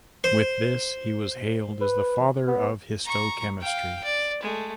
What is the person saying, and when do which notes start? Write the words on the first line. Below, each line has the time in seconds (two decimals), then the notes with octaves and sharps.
With this, he was hailed as the "father of histochemistry".
0.24 C5
1.81 B4
2.48 B3
3.05 A#5 C#6
3.61 F5 G5
4.04 D5
4.43 G#3 A3